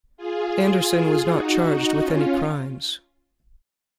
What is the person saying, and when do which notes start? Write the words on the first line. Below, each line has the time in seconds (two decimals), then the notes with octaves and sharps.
Andersen was not charged with any crimes.
0.17 F4 G#4
1.27 D#4 F#4
1.63 D#4 F#4
2.00 C#4 F4